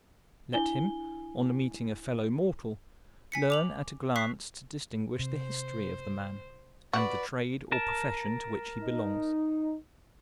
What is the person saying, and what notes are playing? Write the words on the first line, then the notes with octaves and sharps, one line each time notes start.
Let him, on meeting a fellow-mortal, learn at a glance to distinguish the history of the man, and the trade or profession to which he belongs.
D4 E4 G#5 G7
G#5 B6 C#7
D6 F7 F#7
C#6 F#6 B6 C7
C3 C5
F#4 B4 D5
A#4 A5
D#4